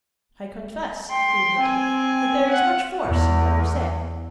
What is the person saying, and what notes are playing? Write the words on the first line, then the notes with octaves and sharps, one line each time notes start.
"I confess," he admitted, "that there is much force in what you say."
G5 C6
C4 G#5
F#5
E2